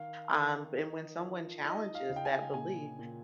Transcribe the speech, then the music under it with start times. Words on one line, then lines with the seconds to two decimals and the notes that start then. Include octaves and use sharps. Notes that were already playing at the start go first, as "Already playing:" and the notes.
Um, and when someone challenges that belief,
Already playing: D#3 F5
0.32 D#3
0.77 D#4
1.21 F3
1.65 D#4 D#5
1.95 F5
2.09 C#3
2.16 G5
2.25 G#5
2.54 A#2 G#5
2.99 A#2